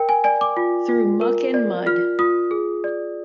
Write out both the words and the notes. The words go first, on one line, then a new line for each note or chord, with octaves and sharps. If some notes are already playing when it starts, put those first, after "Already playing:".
Through muck and mud.
Already playing: A#4 G5
G#5
D5 G#5
D6
F4
F4
A#4
D5
F4 F6
F4 D#6
G#4
D5